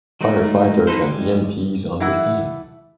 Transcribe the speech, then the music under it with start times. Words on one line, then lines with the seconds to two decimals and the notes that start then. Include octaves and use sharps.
Firefighters and EMT s on the scene.
0.21 F#3 G#3 A3 D#4
0.87 A#3 D#4 A4 B4 C5
1.01 G3 G#3
2.00 E3 A3 E4 F#5